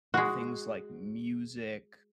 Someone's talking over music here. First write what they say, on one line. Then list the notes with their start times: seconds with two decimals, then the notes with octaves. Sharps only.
things like music
0.14 G#3 F#4